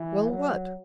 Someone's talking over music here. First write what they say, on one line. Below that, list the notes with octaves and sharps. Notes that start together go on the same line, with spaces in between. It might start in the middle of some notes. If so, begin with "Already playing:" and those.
"Well, what?"
Already playing: E3
F#3